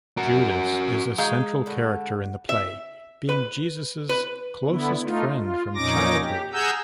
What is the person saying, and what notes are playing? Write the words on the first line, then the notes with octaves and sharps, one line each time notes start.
Judas is a central character in the play, being Jesus' closest friend from childhood.
F#4 A#4
E3 G#3 F5 A#5 G6
A2 D3
E5
B4
B4
D3 B3 E4
A3 D#4 F4
F4
F2 A#2 C#4 D#4 D6 A#6
G4
G#4 F#5 G#5 A#5 E6 G6